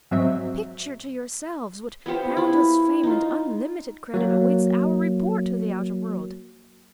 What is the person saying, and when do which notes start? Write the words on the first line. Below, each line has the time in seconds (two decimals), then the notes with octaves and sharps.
Picture to yourselves what boundless fame and unlimited credit awaits our report to the outer world!
0.11 G#2 F#3 C4 E5
2.06 B3 F4 G4 C5
2.37 E4 F4
3.03 D#4 F4
4.14 F#3 A#3